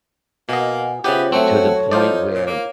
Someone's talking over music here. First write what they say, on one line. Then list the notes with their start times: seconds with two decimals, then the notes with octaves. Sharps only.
to the point where
0.49 B2 A#3 D#5 F#5 G#5
1.04 C#3 B3 F4 G4 C5 C#5 E5
1.32 F#3 A3 C4 F#4 A4 A5
1.91 D#4 F4 C5 D5
2.34 A#2
2.47 A#3